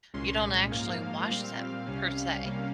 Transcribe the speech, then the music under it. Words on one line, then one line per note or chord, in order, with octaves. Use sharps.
you don't actually wash them per se,
C2 A#2 G#3 C#4 C6
G#2 F3 A#3 F5
A#2 G3 C4
C2 C3 G3 C#4
C3 G3 A#3 C#4